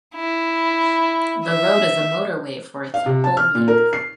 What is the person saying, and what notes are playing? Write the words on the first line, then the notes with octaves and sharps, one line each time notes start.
The road is a motorway for its whole length.
E4
E5
F5
C3
A5
F6
A#2
A#4
C7